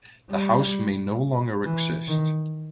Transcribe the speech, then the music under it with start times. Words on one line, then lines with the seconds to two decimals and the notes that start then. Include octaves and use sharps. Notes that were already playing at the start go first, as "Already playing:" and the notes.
The house may no longer exist.
0.31 G3
1.64 E3
2.07 D#3